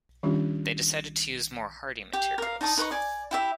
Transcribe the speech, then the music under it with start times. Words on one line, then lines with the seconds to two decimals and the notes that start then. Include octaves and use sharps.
They decided to use more "hearty" materials.
0.23 D#3 G3 C#4 D4 F4 G4
2.13 G4
2.38 A#4 F5
2.61 D#4 D5 A5 D#6
2.77 D#4 B4 D#5 C#6
2.91 D5 G#5 D6
3.31 E4 G4 E5